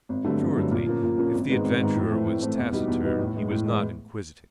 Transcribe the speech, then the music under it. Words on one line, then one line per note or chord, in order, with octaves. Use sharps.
Assuredly if the adventurer was taciturn he was not inquisitive.
G#1
G2 D3 F#3 A3
G#1
G2 D3 F#3 A3
A#2
F3 A#3 C#4
A#2
F3 A#3 C#4
G#1
G#2 D#3 G#3 B3
G#1
G#2 D#3 G#3 B3
A2
E3 A3 C4
A2
E3 A3 C4
E2
B2 G3 B3 D#4
E2
B2 G3 B3 D#4
A2
E3 G#3
A2
E3 G#3